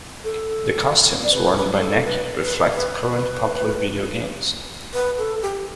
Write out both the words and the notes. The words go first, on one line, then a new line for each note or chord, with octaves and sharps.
The costumes worn by Necky reflect current popular video games.
A4
D5
B4
B4
B4
A4
B4
B4
D5
D5
B4
B4
A4
G4